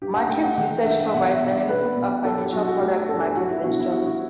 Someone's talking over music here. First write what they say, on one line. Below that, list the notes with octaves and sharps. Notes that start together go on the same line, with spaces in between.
Markets Research provides analyses of financial products, markets and strategy.
G2 G4
F#5
A3 G5
F#5
E3 F#5
G2 E5
B2 F#5
E5
B2
D5
B2 B4
B2
G2 A4
G4
F#3 F#4
F#4
A3 G4
G2 A4
G3 F#4
E4
B2 F#4
E4
G3 F#4
F#4